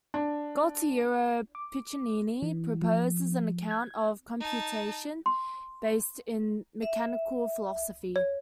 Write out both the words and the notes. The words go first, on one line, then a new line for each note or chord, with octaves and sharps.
Gualtiero Piccinini proposes an account of computation based in mechanical philosophy.
D4
D6
E3
F3
G#6
D#4 A5
C6
E5
C#5